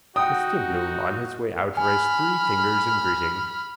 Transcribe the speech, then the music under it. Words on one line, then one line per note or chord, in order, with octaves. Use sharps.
Mr Bloom on his way out raised three fingers in greeting.
D#4 F#4 F#5 G5 D#6
G#5 B5 F6